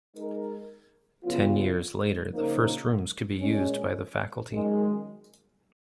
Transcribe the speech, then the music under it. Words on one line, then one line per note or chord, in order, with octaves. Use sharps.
Ten years later, the first rooms could be used by the faculty.
G#3 D#4 A#4
C#3 F#3 B3 F4
C#3 F3 A#3 D#4 A#4
A#2 G#3 C#4
F#2 D#3 G#3